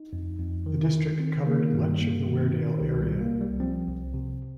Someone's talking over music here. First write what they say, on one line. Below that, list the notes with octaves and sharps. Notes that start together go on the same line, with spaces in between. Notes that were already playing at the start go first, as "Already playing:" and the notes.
The district covered much of the Weardale area.
Already playing: D#4
F2
F2
D#3
D#3
D#3 C4
D#3 A#3
G2 G3
G2 A#3
D#3
C4
D#3
C2 G4
G3
C3
A#3
C2
G3
F3 C4
C2
C3